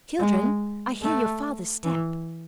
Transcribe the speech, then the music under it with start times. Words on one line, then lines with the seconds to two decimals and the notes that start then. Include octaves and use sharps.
'Children, I hear your father's step.
0.19 G#3
1.02 A3
1.84 E3